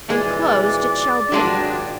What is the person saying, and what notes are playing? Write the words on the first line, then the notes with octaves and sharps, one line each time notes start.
And closed it shall be.
F2 B2 E3 G#3 G#4 D5
G#1 F#3 G#3 D4 F4 G4